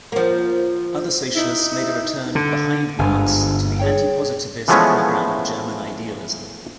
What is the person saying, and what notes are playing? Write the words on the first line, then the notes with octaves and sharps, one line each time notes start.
Other socialists made a return 'behind Marx' to the anti-positivist programme of German idealism.
F3 A#3
D#4 E4
E4
D3
G1 G#2 D3 G#5
G#4 C#5 G5
E3 F3 G#3 A3 B3 C#4